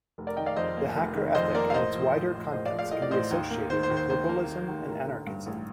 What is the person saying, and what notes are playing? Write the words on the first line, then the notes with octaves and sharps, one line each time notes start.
The hacker ethic and its wider context can be associated with liberalism and anarchism.
F1
A#4 D5
D#3 D#5 G5
D5 F5
F2 C5 D#5
A#3
F1
D#3
F2 C5 D#5
A#3 A#4 D5
F5
A1 C5 D#5
F3
A2
A1
A1 C5 D#5
D5 F5
F3
D5 F5
A2 D#5
D5
A1 C5 D#5
D#2
A#3
D#3 C5
C5
D#2
C5
D#2 C5
A#3
D#3
D#2
A1 A#4
D3
G2
A1